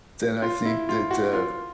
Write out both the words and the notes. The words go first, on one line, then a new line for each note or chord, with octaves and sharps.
then I think that, uh
F4
E4
F4
F#4
F4